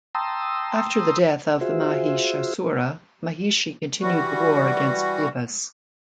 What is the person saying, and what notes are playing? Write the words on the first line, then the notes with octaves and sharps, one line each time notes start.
After the death of Mahishasura, Mahishi continued the war against Devas.
G5 A5 A#5 C6 D#6 E6
F4 F#4 G#4 C5 E5
E3 G3 F#4